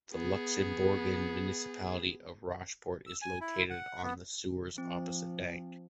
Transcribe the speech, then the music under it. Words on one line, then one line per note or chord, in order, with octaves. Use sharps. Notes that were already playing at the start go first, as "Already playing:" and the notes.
The Luxembourgian municipality of Rosport is located on the Sauer’s opposite bank.
B3 G#4
E6
G#5
E4
F#5
B3
F3 C4